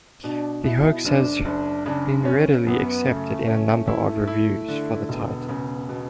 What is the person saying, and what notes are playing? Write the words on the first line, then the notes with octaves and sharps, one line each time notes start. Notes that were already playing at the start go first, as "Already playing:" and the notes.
The hoax has been readily accepted in a number of reviews for the title.
B2 D4
B2 E4
F#1 D4
F#1 D4
C#3 D4
C#4
F#2 B3
C#3 A3
C#4
E4
E4
D3
E1 B3
C#3
B2